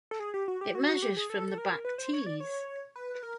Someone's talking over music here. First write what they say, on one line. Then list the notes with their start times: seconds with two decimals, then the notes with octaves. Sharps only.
It measures from the back tees.
0.11 A4
0.20 G#4
0.34 G4
0.48 F#4
0.61 G4
0.75 F#4
0.88 F#4
1.02 G4
1.17 G#4
1.30 A4
1.48 A4
1.58 A#4
1.85 B4
1.98 C5
2.13 C#5
2.26 D5
2.40 C#5
2.96 B4
3.15 B4
3.23 A#4